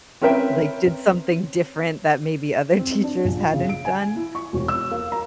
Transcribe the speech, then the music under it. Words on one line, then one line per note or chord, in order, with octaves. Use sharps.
like, did something different that maybe other teachers hadn't done?
C4 C#4 A#4 B4 E5 G5
C4
D4
A#1
C#3
D7
G#5
E4
C#6
E1
E6
A#3
A#5